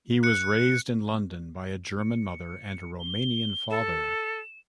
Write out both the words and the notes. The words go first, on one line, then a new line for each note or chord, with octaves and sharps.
He was raised in London by a German mother and a Romanian father.
F#6 C#7
C#7
G7
A4 E7